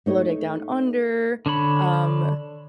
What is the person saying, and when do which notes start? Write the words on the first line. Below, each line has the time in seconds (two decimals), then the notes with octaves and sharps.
Below Deck Down Under, um,
0.06 A3 D#4 C#5
1.46 D3 D4 C#5 B5